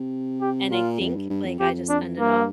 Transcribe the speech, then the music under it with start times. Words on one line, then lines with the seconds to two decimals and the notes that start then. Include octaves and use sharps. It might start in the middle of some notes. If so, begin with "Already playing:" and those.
And I think, like, I just ended up
Already playing: C3
0.41 G4
0.71 A#2 F4
1.00 F2
1.16 G2
1.30 G2
1.45 F2
1.60 F2 G4
1.89 D4
2.19 G2 A#3